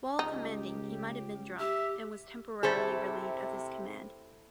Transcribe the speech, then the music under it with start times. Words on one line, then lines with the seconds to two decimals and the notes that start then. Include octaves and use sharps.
While commanding, he might have been drunk, and was temporarily relieved of his command.
0.19 C#2 D#4 G4
1.59 G4 E5
2.63 C3 A3 E4 G#4 A4 C5 A5